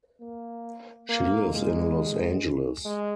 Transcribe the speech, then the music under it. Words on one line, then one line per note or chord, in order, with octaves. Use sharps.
She lives in Los Angeles.
A#3
A#3
G#3
G#3